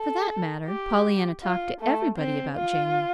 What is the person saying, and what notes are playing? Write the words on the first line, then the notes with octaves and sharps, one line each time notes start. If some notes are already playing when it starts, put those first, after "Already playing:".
For that matter, Pollyanna talked to everybody about Jamie.
Already playing: A4
G4
F4
A3
C4
F4